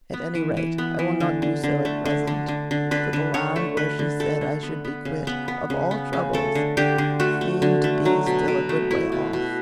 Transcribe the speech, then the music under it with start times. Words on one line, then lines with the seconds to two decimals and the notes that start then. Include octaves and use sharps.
At any rate I will not do so at present, for the land where she said I should be quit of all troubles seemed to be still a good way off.
0.14 B3
0.35 E3
0.57 E3
0.78 B3
0.99 E3
1.20 D3
1.42 D3
1.64 D3
1.85 A3
2.05 D3
2.27 D3
2.48 D3
2.71 D3
2.91 D3 B4
3.13 D3
3.34 D3 C#5
3.56 A3
3.77 D3 B4
3.99 D3
4.20 A3 A4
4.41 D3
4.63 B3
4.85 B3
5.05 C#3
5.27 B3
5.48 B3
5.70 C#3
5.91 B3
6.13 C#3
6.33 A3 A4
6.55 D3
6.77 D3 G4
6.98 D3
7.20 A3 F#4
7.41 A3
7.62 D3
7.84 A3
8.05 F#3
8.26 B2
8.48 B2
8.69 A3
8.91 A3 E4
9.12 B2
9.33 B2